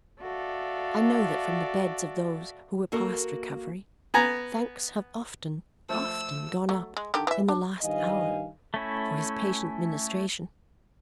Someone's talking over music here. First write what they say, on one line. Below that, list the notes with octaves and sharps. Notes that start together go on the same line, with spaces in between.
I know that from the beds of those who were past recovery, thanks have often, often gone up, in the last hour, for his patient ministration.
F#4 A4 D5 E5 F5
A#3 F#4 A4 A#4
B3 G#5 A#5
F3 A3 E6
F#3 A3
G#3
D3 D#3 G4
E3 E5
D4
G2 D#3 F3 D#5 F5 G#5
A3 C#4 E4